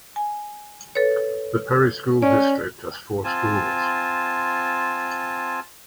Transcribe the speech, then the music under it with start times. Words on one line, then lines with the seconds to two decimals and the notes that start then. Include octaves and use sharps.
The Perry school district has four schools.
0.16 G#5
0.95 A4 B4 C#5
2.22 C#4 D5
3.24 C4 F4 G#5 A5